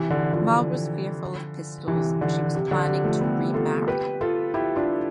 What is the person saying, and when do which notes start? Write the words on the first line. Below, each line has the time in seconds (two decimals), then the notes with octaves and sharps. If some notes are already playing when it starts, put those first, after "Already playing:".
Maude was fearful of pistols and she was planning to remarry.
Already playing: C3 E3
0.10 D3
0.33 D3 F3
1.88 C3 E3
2.21 D3
2.55 C3
2.71 D3
2.88 C3
3.04 F3 A3
3.21 G3 B3
3.54 F4 A4
3.88 G4 B4
4.21 F4 A4
4.54 E4 G4
4.76 D4 F4